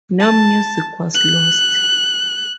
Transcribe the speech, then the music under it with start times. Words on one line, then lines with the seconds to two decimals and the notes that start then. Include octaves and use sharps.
No music was lost.
0.20 A5
1.15 F#6